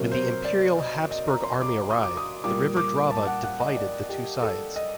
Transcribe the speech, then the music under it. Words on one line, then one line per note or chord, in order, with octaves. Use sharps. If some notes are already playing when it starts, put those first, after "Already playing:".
When the Imperial Habsburg army arrived, the River Drava divided the two sides.
Already playing: C3 F#3 A#3 A#4
C5
D5
D#5
D#5
A#5
C6
D6
D#6
D6
D#6
A#2 G3 A#3 D6
D6
A5
F#5
F#5
D#5
D5
G4
A4
D#5